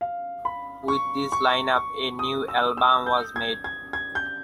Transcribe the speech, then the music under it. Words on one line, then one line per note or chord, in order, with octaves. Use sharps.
With this lineup, a new album was made.
F5
B5
C#6
C#6
C#6
D#6
E6
E6
G6
G#6
G#6
G#6
G6